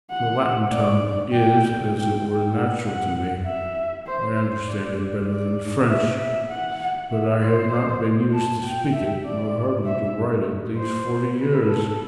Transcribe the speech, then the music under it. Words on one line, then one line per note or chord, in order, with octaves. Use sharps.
The Latin tongue is as it were natural to me; I understand it better than French; but I have not been used to speak it, nor hardly to write it, these forty years.
F#5
D5
G5
G5
F#5
F#5
E5
C5
C5
D5
D5
E5
E5
F#5
E5
C5
A5
G5
E5
D5
E5
C5
B4
A4